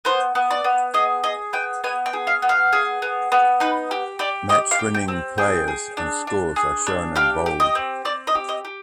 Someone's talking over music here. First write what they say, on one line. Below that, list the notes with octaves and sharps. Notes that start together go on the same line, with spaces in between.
Match winning players and scores are shown in bold.
B3 C5
B3
D5
B3
G#4 D#5
G#4 D#5
B3 G5
B3 G#5
G5
G#4
F5
B3
F5
G#4
B3
B3
D#4 B4
G4
G4 D5
G4 D#5
F5
G4
G5
C4
G#4 G5
G#4
D4
D4
G#4
D4
G4 F5
G4
D#5
C4
C4 D5
D#5
G4
D#5
G4